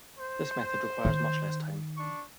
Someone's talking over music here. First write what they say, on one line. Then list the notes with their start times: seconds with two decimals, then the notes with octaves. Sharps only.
This method requires much less time.
0.18 C5
1.05 D#3
1.97 D4 C#6